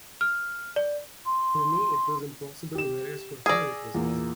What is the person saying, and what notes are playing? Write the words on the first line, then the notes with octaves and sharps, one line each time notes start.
For me it was impossible, whereas for her it was easy.
F6
D5
C6
G4 E7
G#4 D5 D#6 E6 A#6
E2 A#2 A#3